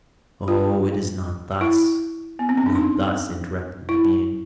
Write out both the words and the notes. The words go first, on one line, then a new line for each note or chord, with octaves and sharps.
"Oh, it is not thus--not thus," interrupted the being.
F4
E4
B3
C4
C#4
D4
D#4
E4